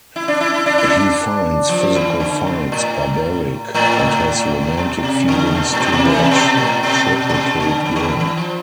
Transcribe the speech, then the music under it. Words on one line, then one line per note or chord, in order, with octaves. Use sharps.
He finds physical fights barbaric and has romantic feelings toward Triplicate Girl.
E4
D4
E4
E4
D4
E4
D4
F3
E3
D3
B2
A2
A2
B2
C3
D3
A2
B2
A2
B2
C3
E3
C3
B2
A2
B2
C3
B2
D3
E3
D3
E3
E3
F3